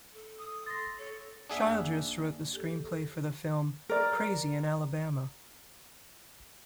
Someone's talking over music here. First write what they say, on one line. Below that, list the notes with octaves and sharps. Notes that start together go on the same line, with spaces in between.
Childress wrote the screenplay for the film "Crazy in Alabama".
A4
D#6
C6 A6 A#6
A4 C#5
F2 A#3 D4 G#4 E5 F#5
G#5 F#6
G4 A4
A#4 D5